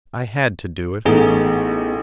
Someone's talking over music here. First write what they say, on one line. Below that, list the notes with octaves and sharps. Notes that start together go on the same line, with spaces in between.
I had to do it.
A1 A3 B3 D#4 G#4